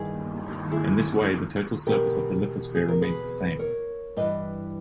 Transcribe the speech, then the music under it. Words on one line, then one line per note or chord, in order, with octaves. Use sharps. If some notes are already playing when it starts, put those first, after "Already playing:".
In this way, the total surface of the lithosphere remains the same.
Already playing: G2 D#3 E4 G#4
E4 G#4
E2 B2 G4 A#4
G#4
A#4
G#4 B4
A#4 C#5
G2 E3 B4 D#5